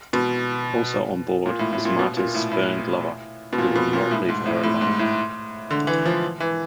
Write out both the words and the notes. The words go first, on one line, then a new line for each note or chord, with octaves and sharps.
Also on board is Marta's spurned lover, who will not leave her alone.
B2
A#2
A2
A2
A#2
B2
A#2
A2
A2
B2
A#2
B2
A#2
A2
G#2
A2
A2
G#2
A2
D3
E3
F3
E3